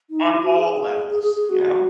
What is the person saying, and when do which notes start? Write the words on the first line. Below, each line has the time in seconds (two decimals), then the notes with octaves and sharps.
on all levels, you know?
0.10 D#4
0.25 D#4
0.30 E4
0.43 F#4
0.56 G#4
1.10 G#4
1.23 G#4
1.36 G#4
1.50 F#4